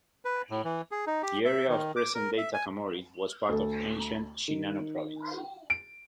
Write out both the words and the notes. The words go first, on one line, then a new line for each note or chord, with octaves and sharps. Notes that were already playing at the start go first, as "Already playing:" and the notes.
The area of present-day Takamori was part of ancient Shinano Province.
B4
A2
E3
G#4
D#4
G4
E5
D#3
D6
A#4
E5
G#5
D2 A4
D#3
D7